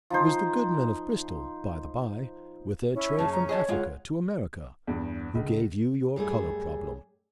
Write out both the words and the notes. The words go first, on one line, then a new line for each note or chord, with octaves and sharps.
It was the good men of Bristol, by the bye, with their trade from Africa to America, who gave you your colour problem.
F3 D#4 C5
C#4 E4
F#2 C#3 A5
A#5
G#4 C#5 D#5 A5
G#3 F4 F5 F#5
E2 G2
C#2 D3
F#2 G3 A3 G#4